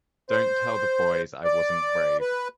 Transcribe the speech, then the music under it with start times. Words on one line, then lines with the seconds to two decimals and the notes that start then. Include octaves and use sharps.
Don't tell the boys I wasn't brave.
0.30 C5
1.45 D5
2.21 B4